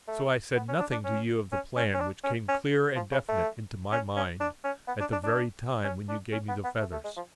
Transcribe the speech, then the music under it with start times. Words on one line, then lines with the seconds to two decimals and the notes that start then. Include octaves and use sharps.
So I said nothing to you of the plan which came clear and definite into my mind at the very time when you gave me the feathers.
0.08 A3
0.56 B3
0.68 C#4
0.80 D4
0.92 D4
1.04 C#4
1.52 C#4
1.76 C#4
1.94 C#4
2.00 D4
2.24 C#4
2.48 C#4
2.96 F3
3.12 C#3
3.28 A3
3.92 C#4
4.16 C#4
4.40 D4
4.64 C#4
4.87 B3
5.00 D4
5.12 D4
5.23 D4
5.84 C#4
6.09 D4
6.32 C#4
6.48 B3
6.64 B3
6.80 A3
6.92 A3
7.04 G#3
7.16 F3